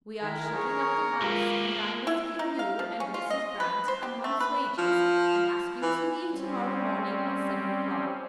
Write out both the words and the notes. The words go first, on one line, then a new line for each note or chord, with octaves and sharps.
We are shutting up the house, and I must give you and Mrs. Brant a month's wages and ask you to leave to-morrow morning at seven o'clock.
D#3 E4 A#4
G#4 C#5
G#3 A#3 F4 G4 B4
E4
D#4
F5
F3
C#4
F4
D#5
B4
C5
G4
A3
B4
F3
E3
G3 C4 C#4